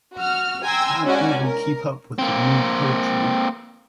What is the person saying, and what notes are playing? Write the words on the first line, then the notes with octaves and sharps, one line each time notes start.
Can't even keep up with the new poetry.
F#4 F6
G5 G#5 A#5 C6 E6
C#2 C#4 F#4 D5 G#5
A#4
A#3 C4